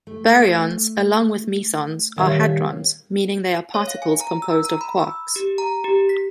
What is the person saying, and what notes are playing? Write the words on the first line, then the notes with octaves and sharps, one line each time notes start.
Baryons, along with mesons, are hadrons, meaning they are particles composed of quarks.
A3
A#2 D#3 G3 C#5 E5 F5
C#5
F5
G#5
A#5
E6
A#5
B5
E6
G4
A#5
G4
B6